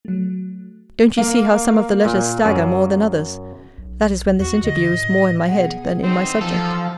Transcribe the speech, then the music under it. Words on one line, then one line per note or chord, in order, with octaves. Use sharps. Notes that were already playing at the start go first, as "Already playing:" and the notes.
Don't you see how some of the letters stagger more than others?--That is when this interview is more in my head than in my subject.
F#3 A3
A#3
A#2
F#2
B1
E2 F#4
D3 D#5
A2
B2 G#4 F#5
E3 G3 C4 D#4
F3 A4